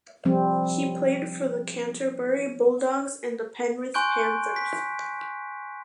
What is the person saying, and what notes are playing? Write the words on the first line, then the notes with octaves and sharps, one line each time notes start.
He played for the Canterbury Bulldogs and the Penrith Panthers.
F3 G3 C4
G#5 C6 C#6 F#6 G6 D7
B6